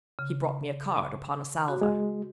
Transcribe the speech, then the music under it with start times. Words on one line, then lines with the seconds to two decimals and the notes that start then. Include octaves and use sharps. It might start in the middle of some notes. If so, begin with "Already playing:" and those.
He brought me a card upon a salver.
0.19 C#3
1.68 F#4
1.81 G#3